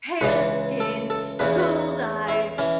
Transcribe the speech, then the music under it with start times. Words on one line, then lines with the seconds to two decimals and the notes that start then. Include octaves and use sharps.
pale skin, gold eyes,
0.21 C#2 C#3 E3 B4
0.80 A4
1.10 A4
1.39 E2 C#3 E3 B4
1.59 B4
2.28 E4
2.58 E3 C#4